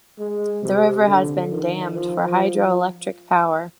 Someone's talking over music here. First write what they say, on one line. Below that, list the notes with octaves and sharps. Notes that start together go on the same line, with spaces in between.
The river has been dammed for hydroelectric power.
G#3
C3
D3
D#3
F3